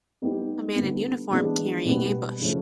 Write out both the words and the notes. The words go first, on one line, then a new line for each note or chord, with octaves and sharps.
A man in uniform carrying a bush.
G3 B3 D#4 G4
D3 G3 B3
E3 G#3 B3 D4
B2 G3 B3
C#3 F3 A3 C#4